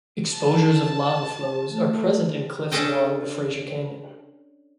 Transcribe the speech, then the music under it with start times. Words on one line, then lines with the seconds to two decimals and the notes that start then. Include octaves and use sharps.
Exposures of lava flows are present in cliffs along the Fraser Canyon.
0.34 A5
1.71 A3
2.71 C#4 D4 A4 D#5 G5